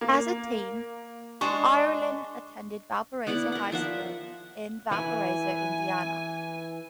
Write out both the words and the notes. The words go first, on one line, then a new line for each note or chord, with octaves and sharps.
As a teen, Ireland attended Valparaiso High School in Valparaiso, Indiana.
A#3
G#3 D4 C5 C#6
B3 E4 D5 F#5
A#4 F#5
F3 E5 F#5
E3 E4 B4 G#5